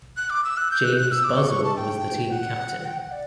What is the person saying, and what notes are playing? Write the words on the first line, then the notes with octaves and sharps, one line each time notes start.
James Buzzell was the team captain.
F#6
D6
E6
F#6
G6
F#6
F#6
E6
D6
C#6
C#6
A5
G5
F#5
G5
F#5
D5